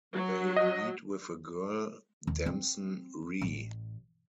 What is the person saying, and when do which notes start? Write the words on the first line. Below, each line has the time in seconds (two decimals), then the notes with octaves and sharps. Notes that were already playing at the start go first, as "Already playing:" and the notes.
They meet with a girl, Damson Rhee.
0.14 F#3
0.56 D#5
2.27 D#2
2.46 C4
3.42 A1